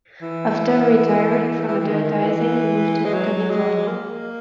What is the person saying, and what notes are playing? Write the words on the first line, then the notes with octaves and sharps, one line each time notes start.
After retiring from advertising, he moved to California.
E3
E3
D#3
D#3
E3
G#3
F#3
G#3
A#3